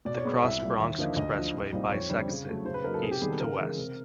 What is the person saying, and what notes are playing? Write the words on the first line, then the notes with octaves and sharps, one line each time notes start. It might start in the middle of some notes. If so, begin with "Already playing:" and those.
The Cross Bronx Expressway bisects it, east to west.
B2 D5
C#5
G#3 B3
C2 E5
A#2 G3
D#2
D3 F3 A#3 D#4
D2 D#5
D3 F3
C2
A#2 G3 C4 D#4
F2 C#5
D3 G3 C4
C#3
F#3 A3
C#3 C5
B4
F#3 A#3 D#4 A#4
A4
C3 G#4
G4
D#3 G3 B3 G#4
A4
C#3 A#4
E3 G#3
C3